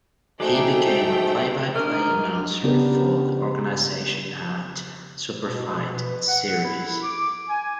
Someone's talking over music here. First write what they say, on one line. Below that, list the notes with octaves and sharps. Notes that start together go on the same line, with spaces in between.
He became a play-by-play announcer for the organization at Superfight Series.
A3 D#4 F#4 G#4 C5 D5 G5 G#5
D4 A#4 D#5 C#6
C#3 B3 D4 G4 A#4
B2
B4
F#5
E4
D6
G#5